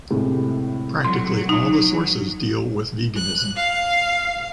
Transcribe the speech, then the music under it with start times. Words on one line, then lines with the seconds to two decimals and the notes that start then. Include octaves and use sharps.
Practically all the sources deal with veganism.
0.10 A2 C3 G#3
1.04 F#3 C6
1.49 D#4
3.16 F#6
3.55 F5